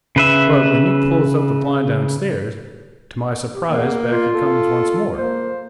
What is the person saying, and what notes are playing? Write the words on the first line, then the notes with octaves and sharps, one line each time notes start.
But when you pulls up the blind downstairs, to my surprise back he come once more.
C#3 B4 E5
G4
E2 A#3
F4
A4
A#3 C5